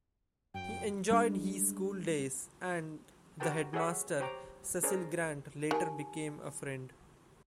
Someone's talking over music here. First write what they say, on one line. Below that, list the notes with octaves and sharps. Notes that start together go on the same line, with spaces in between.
He enjoyed his schooldays, and the Headmaster, Cecil Grant, later became a friend.
F#2 G5
G3 G#3 D4
F#4 G4 A#4 B4 G5 A5
F#4 G#4 A4 C#5 E5 F#5
G4 C5 C#5 G5 A#5 D6
C#4 D4 G#4 A#4 C5 D5
D#3 G4 G#5 A5